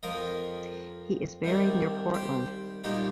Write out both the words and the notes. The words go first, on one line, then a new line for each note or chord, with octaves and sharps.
He is buried near Portland.
F2 F3 A#4 D#5
C2 C3 D#3 G3
G4 C5
C2 A#2 F3 D#4 G4